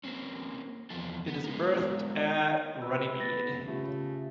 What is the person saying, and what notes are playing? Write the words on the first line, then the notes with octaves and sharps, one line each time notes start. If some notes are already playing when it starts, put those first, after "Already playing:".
It is berthed at Runnymede.
A#3 C4 C#4
E2 F3 B3 A4
B3
G#3 B3 A#4
B4 E6
A3 B3 A6 A#6
C#3 A3 C#4 F4 G4